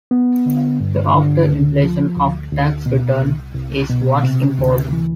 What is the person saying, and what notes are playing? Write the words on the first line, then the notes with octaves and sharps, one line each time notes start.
The after-inflation, after-tax return is what's important.
B3
D3
G2
D3
D2
F3
D2
D2
B2
C2
C2
B2
C3
D2
E3